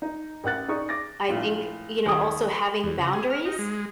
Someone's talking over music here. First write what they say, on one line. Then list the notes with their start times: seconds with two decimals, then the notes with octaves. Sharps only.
I think, you know, also having boundaries,
0.02 D#4
0.44 A1 A#4 F#5 F#6 A6
0.68 D#4 G#4 D5 C#6 D#6
0.89 D6 A6 A#6
1.29 A#1 A2 F4
2.06 D#2 G#4 A4
2.83 E2
2.98 C#3
3.14 G#4
3.30 F6
3.45 D#4
3.59 G#3